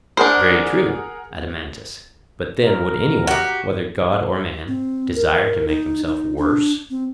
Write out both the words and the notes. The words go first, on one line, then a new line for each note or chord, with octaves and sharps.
Very true, Adeimantus; but then, would any one, whether God or man, desire to make himself worse?
D4 G#4 A#4 C5 F#5
A#4
F#4 G4
C4
A#4
D#4
D#4
D4
C4